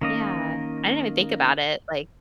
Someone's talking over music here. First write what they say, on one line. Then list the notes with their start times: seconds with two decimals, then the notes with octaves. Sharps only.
Yeah. I didn't even think about it. Like
0.01 D#3 A#3 C#4 D#5